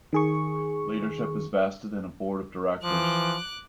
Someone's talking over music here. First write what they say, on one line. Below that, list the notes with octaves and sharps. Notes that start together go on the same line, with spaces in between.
Leadership is vested in a board of directors.
D#3 G#4 C#6
E3 F3 D6 F#6